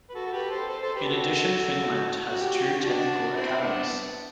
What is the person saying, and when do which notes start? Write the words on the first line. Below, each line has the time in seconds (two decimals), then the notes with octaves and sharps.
In addition Finland has two technical academies.
0.09 B4
0.15 F#4 A4
0.26 A4
0.33 G4 B4
0.50 A4 C5
0.68 A4 C5
0.82 A4 C5
0.95 G4 B4
1.09 F#4 A4
2.28 F#4
2.41 G4
2.54 F#4
2.66 G4
2.79 D4 F#4
3.35 C4 E4
3.61 B3 D4